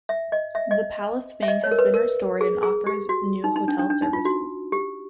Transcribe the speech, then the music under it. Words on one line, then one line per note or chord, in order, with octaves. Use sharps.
The palace wing has been restored and offers new hotel services.
E5
D#5
E5
D#5
E5
D#5
C#5
A#4
B4
A#4
G#4
G#4
G4
F#4
D#4
D#4
D4
D4
D4
D#4
F4
F#4
G4